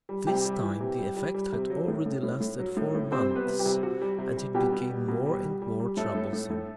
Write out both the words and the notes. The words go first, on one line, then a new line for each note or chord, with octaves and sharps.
This time the effect had already lasted four months and it became more and more troublesome.
G3
C3 G3 G4
G3
E3
C3
G3
G3
G3
C3
F#3
A2
A2
A2
A2
F#3
A2
A2
C3 C4 C5
G3
B3 B4
C3
G3 G4
C3
C3 F#4
G3
C3
G3
B2 G3 G4
B2
G3
B2
G3
G3
G3
G3
A2 A3 A4
A2
A2
A2